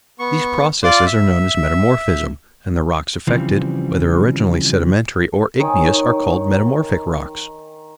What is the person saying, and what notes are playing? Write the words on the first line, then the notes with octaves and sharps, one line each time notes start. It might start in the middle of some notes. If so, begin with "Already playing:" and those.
These processes are known as METAMORPHISM, and the rocks affected, whether originally sedimentary or igneous, are called METAMORPHIC ROCKS.
B3 C#6
F4 D5 C6 D6
E5
C#3 E3 F3 G3 C4
D#3 C#5 G#5